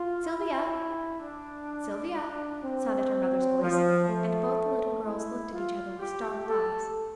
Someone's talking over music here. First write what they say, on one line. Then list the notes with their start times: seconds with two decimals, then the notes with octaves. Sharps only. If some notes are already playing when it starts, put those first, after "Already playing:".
"Sylvia, Sylvia," sounded her mother's voice, and both the little girls looked at each other with startled eyes.
Already playing: F4
0.25 E4
1.21 D4
2.64 C4
3.61 F3
4.08 A3
5.03 E4
5.51 F4
5.99 G4
6.47 A4